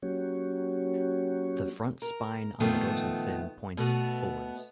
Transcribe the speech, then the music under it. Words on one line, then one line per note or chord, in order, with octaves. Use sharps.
The front spine on the dorsal fin points forwards.
F#3 A#3 C#4 F#4 G4 C#5
A#4
A#2 D#3 F3 A3 B3
B2 A3 B3